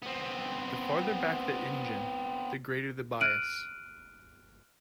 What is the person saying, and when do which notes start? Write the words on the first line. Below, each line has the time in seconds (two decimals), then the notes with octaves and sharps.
The farther back the engine, the greater the bias.
0.03 B3 C4
3.20 F6 F#6 D7 D#7 F#7